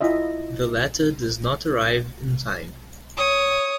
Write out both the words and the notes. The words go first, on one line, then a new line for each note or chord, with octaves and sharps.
The letter does not arrive in time.
E4 F4 D#5 E5
C#5 D#6